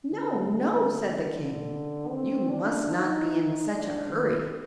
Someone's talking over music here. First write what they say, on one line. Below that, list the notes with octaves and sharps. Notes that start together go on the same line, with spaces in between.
'No, no!' said the king; 'you must not be in such a hurry.
D3
D3
D3
D3
C4
D4
D#4
D4
D#3